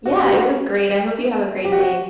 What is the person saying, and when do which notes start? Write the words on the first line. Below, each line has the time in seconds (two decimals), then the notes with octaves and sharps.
Yeah, it was great. I hope you have a great day.
0.06 F#4
0.16 G4
0.27 F#4
1.65 G4
1.72 F#4